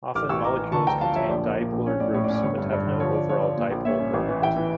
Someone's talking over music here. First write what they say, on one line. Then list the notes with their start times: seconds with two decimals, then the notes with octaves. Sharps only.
Often molecules contain dipolar groups, but have no overall dipole moment.
0.15 A1 D6 F6
0.29 A1 C#6 E6
0.44 A1 A#5 D6
0.59 E3
0.72 D3 A5 C#6
0.87 D2 G5 A#5
1.01 F3 F5 A5
1.15 F3 C#5 E5
1.29 A#1 D5
1.44 A#3
1.58 A#2
1.73 A#1
1.86 C#4 C#5
2.00 A2 D5
2.14 A2 C#5
2.24 D5
2.29 C#4
2.35 D5
2.43 G1 C#5
2.57 G2
2.72 G2 D5
2.87 D3
3.00 F3 C#5
3.15 F3 D5
3.29 F3 C#5
3.42 F3 D5
3.57 A#2
3.71 A#1
3.85 A#2 C#5 E5
4.00 C#4
4.14 A1
4.28 E3
4.42 A1 E5 G5
4.56 E3